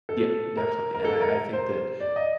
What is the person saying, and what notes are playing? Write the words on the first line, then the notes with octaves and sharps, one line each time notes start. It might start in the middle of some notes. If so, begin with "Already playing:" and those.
Yeah. Definitely, and I I think that
A4
A#4
A#4
A4
A#4
C5
D5
D#5